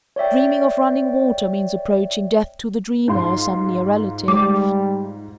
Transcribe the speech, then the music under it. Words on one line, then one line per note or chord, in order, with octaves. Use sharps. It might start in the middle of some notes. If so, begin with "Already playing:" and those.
Dreaming of running water means approaching death to the dreamer or some near relative.
C#5 D5 E5 G5
G#2 F4 C6
G3 G#3 D6